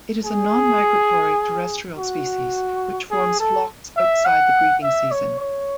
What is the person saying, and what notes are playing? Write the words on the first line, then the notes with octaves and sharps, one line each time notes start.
It is a non-migratory terrestrial species, which forms flocks outside the breeding season.
G#4
F#4
G#4
A4
E5
F#5
E5
C#5
C#5